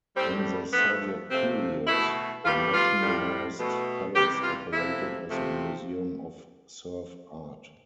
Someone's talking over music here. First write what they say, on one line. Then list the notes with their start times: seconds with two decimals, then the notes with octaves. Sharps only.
In the Soviet period the nationalized palace operated as a museum of serf art.
0.16 A2 G3 C4
0.73 G2 F3 A3 B3
1.30 C3 F3 A3 C4
1.87 B2 A3 E4
2.44 A2 E3 G3 F4
2.73 F4
3.01 A2 G3
3.59 B2 A3
4.15 C3 E3 G3 G4
4.44 F4
4.72 C3 F3 A3 E4
5.30 C3 F3 A3